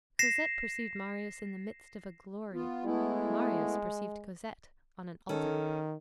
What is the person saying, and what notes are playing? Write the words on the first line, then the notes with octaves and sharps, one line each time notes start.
Cosette perceived Marius in the midst of a glory; Marius perceived Cosette on an altar.
A#6 C7 E7
B3 F4
G#3 A3 B3 E4
D#3 C#4 A4